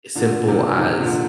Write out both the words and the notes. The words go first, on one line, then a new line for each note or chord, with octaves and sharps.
simple as
A#2 D3
C3 D#3
C3 D#3
A#2 D3